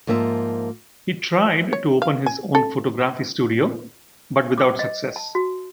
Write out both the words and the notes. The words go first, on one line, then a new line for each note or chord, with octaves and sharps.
He tried to open his own photography studio, but without success.
G#2 F3 A#3 E5 A5
C#5
F5
G#5
A4
D6
D#5
A5
F#4